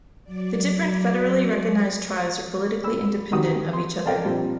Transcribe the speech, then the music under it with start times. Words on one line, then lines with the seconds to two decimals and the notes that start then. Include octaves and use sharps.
The different federally recognized tribes are politically independent of each other.
0.24 F#3 D5
2.83 G3 B5 E6
3.32 D#3 F#4 G4 D#6
3.73 C6
4.06 A4 A#4 D5 D#5 F5 G5
4.25 A#1 G3 C4 F4